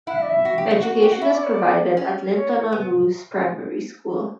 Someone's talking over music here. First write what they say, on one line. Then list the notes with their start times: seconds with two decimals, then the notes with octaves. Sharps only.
Education is provided at Linton-on-Ouse Primary School.
0.07 E4 F#5
0.15 E5
0.22 D5
0.29 E5
0.45 F#4
0.58 G4
0.71 F#4
0.83 F#4
1.02 G4
1.12 F#4
1.21 E4 E5
1.32 D5
1.43 C#5
1.53 D5
1.97 C#4
2.35 C#5
2.72 B3